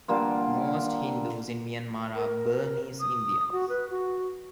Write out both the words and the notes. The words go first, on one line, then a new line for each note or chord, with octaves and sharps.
Most Hindus in Myanmar are Burmese Indians.
D3 G3 A#3 F4
A#4
D#6
F#4
B4
F#4